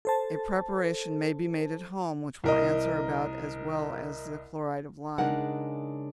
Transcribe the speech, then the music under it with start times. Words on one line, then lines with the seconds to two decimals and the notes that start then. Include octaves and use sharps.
A preparation may be made at home which will answer about as well as the chloride of lime.
0.05 A4 C5 A5
2.44 C2 A#4 D#5
5.18 C#3 G#3 D4 D#4 A#4 F#5